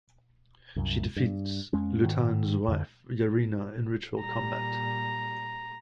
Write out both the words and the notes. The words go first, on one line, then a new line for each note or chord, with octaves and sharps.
She defeats Lutan's wife Yareena in ritual combat.
C2 F#2
G2
F2 G#3 C#4
G#2 D#3
F2 D3
A#2 G3 A#5